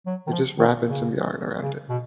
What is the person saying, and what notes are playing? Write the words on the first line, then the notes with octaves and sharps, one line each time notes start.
you're just wrapping some yarn around it,
F#3
D#3
F3
D#3
C#3
C#3
B2